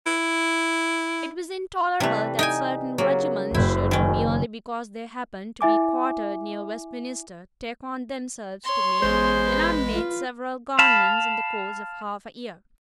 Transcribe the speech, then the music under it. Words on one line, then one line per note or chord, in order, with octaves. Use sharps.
It was intolerable that certain regiments should, merely because they happened to be quartered near Westminster, take on themselves to make and unmake several governments in the course of half a year.
E4
C3 E3 G3 A3 B4
D#4 G5 G#5
C#3 F#3 A#3
F#1 E4 B4 C5 G5
D#3 C#4
E4 E5 G#5 D6
C#5 C6
A1 G#3 B3 G#4 C5
B4
F4
F5 A5 B5